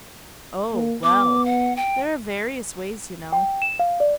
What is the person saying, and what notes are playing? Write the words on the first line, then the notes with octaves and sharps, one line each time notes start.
'Oh, well, there are various ways, you know.
A#3
B3 D6
F#5
G5
G5
E7
F5
D5